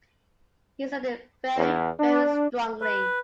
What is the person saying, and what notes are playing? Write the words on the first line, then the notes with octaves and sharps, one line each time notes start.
He said it very, very strongly.
E2
D4
B4